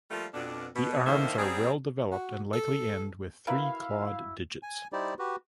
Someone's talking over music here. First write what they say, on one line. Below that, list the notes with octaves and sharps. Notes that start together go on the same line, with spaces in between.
The arms are well developed and likely end with three clawed digits.
F3 G3 A3 A#3 F4
F2 B2 D4
B2
A2 D3 D#3 A#3 C5 E5
F#3 G3 C4 G#4
F#4
A4
E4 F#4 A#4 B4 E5 F5
G#5
G3 D#4 E4 G4 C5 D5
F#4 G4 B4